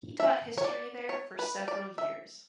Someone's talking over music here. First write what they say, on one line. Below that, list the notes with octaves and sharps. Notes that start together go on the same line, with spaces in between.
He taught history there for several years.
E5
C#5
D5
C#5
B4
D5
E5